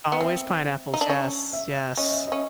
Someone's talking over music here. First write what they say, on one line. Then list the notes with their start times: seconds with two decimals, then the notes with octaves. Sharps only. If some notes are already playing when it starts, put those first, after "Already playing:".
Always pineapples, yes, yes.
0.12 B3
0.21 C4 E5
0.94 D#4
1.01 D4
1.09 C#4
1.53 E5
1.97 C#4 D#5
2.12 E5
2.27 C#4 D#5